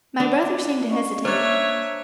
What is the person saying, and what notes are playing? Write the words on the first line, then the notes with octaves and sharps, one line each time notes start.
My brother seemed to hesitate.
D4
C#4 D#5 C#6
A#3 D4 C5 C#5 E5 F#6